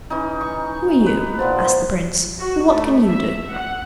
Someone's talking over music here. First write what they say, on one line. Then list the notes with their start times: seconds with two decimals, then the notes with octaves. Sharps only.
'Who are you?' asked the prince, 'and what can you do?'
0.10 E3 C#4 D#4
0.41 C#6
1.06 B4
1.39 A#2 B3 C5 A5
2.38 F#4
2.69 A3
3.08 E5
3.53 F#5